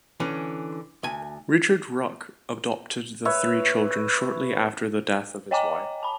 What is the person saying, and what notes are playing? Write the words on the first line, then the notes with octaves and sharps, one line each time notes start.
Richard Ruck adopted the three children shortly after the death of his wife.
D3 E3 C#4
D2 G#5
B4 C#5 E5
C#5 D#5 G5 G#5 A#5 D6
A5 B5